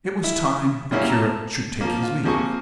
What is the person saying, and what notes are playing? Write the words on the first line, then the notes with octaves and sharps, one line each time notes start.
It was time the curate should take his leave.
E4
F#2 C#3 G3 A#3 C#4 E4
A5 A#5
F3 A#3
F4
C3 F3 A#3 G#4 C#6